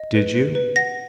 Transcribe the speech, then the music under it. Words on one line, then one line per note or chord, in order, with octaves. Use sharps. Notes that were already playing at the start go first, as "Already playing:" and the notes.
"Did you?"
Already playing: D#5
B4
B4
B4
F#5 A#6